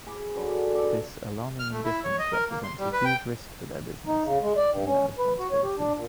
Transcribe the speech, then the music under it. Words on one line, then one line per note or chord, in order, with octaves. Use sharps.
This alarming indifference represents a huge risk to their business, given their responsibility.
G#4 B5 D6
D3 F#3 B4 C6
D5
A4 B4 D5 D#5
F6
A3
E4
C#5
D#5
A#4
A#3
C6
G3
B4
G5
D#4
C#3
G#3
D5
G2
C#4
B4
F#4
C#5
G4
D4
A#2